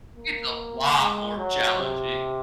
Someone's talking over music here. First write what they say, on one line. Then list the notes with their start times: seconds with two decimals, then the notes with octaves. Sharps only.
It's a lot more challenging.
0.15 A#3
0.96 G#3
1.37 F#3
1.79 C3